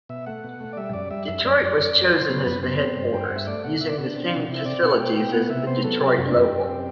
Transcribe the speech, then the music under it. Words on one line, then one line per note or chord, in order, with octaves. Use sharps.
Detroit was chosen as the headquarters, using the same facilities as the Detroit local.
B2 E5
A3 F#5
B2
A3
D5
G3 E5
F#2 D5
G3 E5
F#2 E5
F#2 D5
F#2
F#2
F#2
F#3 C5
B3
F#2 B4
B3 C5
C4
G2
G2 G5
F#5
G2
E5
A3 D5
B2 F#5
B2 E5
D5
B2 F#4
D4
C4
C3
F#4
C3 E4
E5
C4 D5
B2 F#5
B2 G5
B2 G5
B3 F#5
C3 E5
B3 C5
F#3 A4
C3 G4
F#2 F#4
D4
F#2 E4
G4
F#2
C4